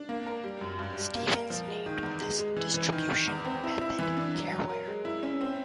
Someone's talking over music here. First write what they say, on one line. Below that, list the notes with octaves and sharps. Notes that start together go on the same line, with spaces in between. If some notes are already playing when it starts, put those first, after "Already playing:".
Stevens named this distribution method careware.
Already playing: D4
A#3
A#4
G3
F#2
G2
G3
A#3
A#4
F3
G#3
D#3
E2
G#3
G#3
E3
E3
D#3
D#3
E2
C4
E4
E4
E3
D4
F#3
F#3
A#4
G#3
E4
C#4
C4